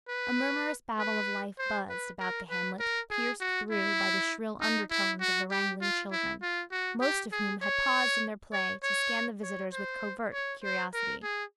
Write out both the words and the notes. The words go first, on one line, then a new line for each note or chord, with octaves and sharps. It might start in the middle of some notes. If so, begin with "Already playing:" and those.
A murmurous babble of life buzzed about the hamlet, pierced through by the shrill undertones of the wrangling children, most of whom had paused in their play to scan the visitors with covert curiosity.
B4
B4
C5
B4
A#4
B4
A#4
G#4
F#4
E4
D#4
E4
F#4
G4
F4
E4
F4
F#4
G4
G#4
C#5
C#5
C#5
C#5
C5
C#5
C5
A#4
G#4